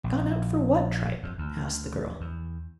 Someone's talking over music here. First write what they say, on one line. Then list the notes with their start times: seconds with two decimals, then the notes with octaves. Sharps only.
"Gone out for what tripe?" asked the girl.
0.04 A#1
1.23 F2
1.38 D2
2.21 E2